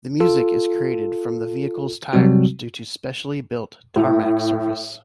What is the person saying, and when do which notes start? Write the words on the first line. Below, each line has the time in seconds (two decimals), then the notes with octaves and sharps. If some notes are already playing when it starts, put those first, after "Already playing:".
The music is created from the vehicle's tires due to specially built tarmac surface.
0.20 F4 A4
2.13 C3 F#3 G3 C4 F#4
3.96 A2